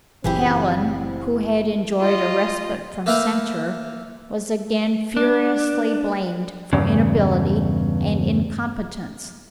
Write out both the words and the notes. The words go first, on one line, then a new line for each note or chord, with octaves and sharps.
Hallen, who had enjoyed a respite from censure, was again furiously blamed for inability and incompetence.
F#1 A#2 E3 C4 E4 G4 G#4
F4 D#5
A3 A#3 E4 B4 G5 A#5
D4
E2 G2 C#3